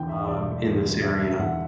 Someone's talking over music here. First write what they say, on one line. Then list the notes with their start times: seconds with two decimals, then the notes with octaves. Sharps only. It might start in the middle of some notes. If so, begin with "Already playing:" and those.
um, in this area,"
Already playing: E2 D3 G5
0.09 E5
0.27 E1 D5
0.65 E1
1.02 D3 E5
1.22 E5
1.40 E2 F#5